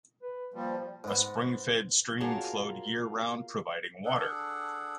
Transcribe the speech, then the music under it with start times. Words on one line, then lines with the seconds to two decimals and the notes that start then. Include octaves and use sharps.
A spring-fed stream flowed year-round providing water.
0.22 B4
0.54 F3 G3 A#3
1.04 G#2 B3
2.20 A#3 F4 F#4 G#4 C#5 A5
4.05 D4 G#4 A4 F#5